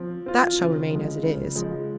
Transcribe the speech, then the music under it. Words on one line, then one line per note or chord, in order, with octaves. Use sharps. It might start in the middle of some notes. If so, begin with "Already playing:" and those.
That shall remain as it is.
Already playing: F3 C4
C4 F4
C#3
F3 G#3
C#3
F3 G#3